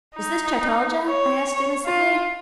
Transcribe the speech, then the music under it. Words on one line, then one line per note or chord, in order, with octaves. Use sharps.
'Is this Chataldja?' I asked innocently.
D#4
C#5
F4